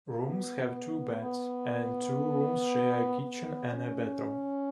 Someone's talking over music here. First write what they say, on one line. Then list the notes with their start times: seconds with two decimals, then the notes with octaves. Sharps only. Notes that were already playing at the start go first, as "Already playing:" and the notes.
Rooms have two beds and two rooms share a kitchen and a bathroom.
0.21 B3
1.22 B3
3.22 B3
3.73 C#4